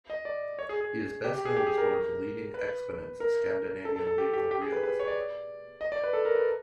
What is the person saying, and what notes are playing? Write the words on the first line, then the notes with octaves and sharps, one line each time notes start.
He is best known as one of the leading exponents of Scandinavian Legal Realism.
D#5
D5
C#5
G#4
G#4
G4
G4
G#4
G4
G#4
A#4
B4
A#4
A4
A4
A4
G4
G4
G4
G#4
B4
B4
C#5
D5
D#5
D5
B4
A4
A#4
B4